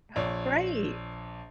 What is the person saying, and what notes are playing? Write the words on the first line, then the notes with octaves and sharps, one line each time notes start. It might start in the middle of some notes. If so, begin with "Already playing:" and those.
Oh, great.
A#1 C#5 D5